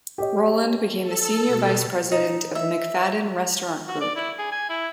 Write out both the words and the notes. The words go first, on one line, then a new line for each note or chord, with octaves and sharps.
Roland became the senior vice president of the McFaddin restaurant group.
G4 C#5 D#5
A4
B2
D#4
E5
F#4
D5
E4
G#4
G#5
E4